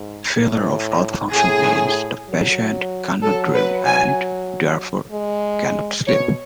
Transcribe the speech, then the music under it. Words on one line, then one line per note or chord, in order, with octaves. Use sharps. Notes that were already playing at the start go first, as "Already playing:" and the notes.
Failure of alpha-function means the patient cannot dream and therefore cannot sleep.
Already playing: G#2
A2
A2 G#4
F#3
F#3 A4
B4
G#5
G#3
B2 C#5